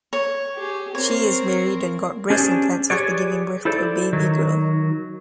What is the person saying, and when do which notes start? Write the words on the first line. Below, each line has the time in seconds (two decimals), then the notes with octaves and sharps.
She is married and got breast implants after giving birth to a baby girl.
0.13 C#5
0.56 G4 G#4
0.95 C4 A#4 C#5
2.30 C#4 D4 G4 G#4 C5
2.90 G4 G#4 B4 C#5 D5
3.65 E4 A4 C5 D5
4.13 D#3 F#3